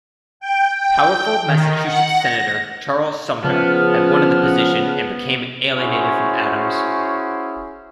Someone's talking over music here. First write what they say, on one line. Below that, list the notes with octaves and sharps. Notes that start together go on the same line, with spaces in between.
Powerful Massachusetts Senator Charles Sumner had wanted the position and became alienated from Adams.
G5
G5
D#3
F#5
A#6
C#3 F3 B3 A5 F6
C#4 E4 F#4 G#4 C5